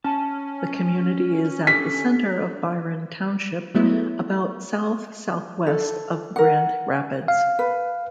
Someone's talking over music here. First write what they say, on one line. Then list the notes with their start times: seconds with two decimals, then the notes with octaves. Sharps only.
The community is at the center of Byron Township, about south-southwest of Grand Rapids.
0.04 C#4 A5
1.67 D4 G4 A4 B6
3.74 F#3 G#3 A3 B3 E4
5.67 A4
6.36 A#4 F#5
7.28 F5
7.59 B4